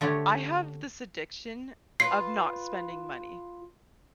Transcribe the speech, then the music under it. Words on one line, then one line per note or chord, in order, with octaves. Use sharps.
I have this addiction of not spending money.
D3 A3 D4 G4 C#5
F4 F#4 B4 C7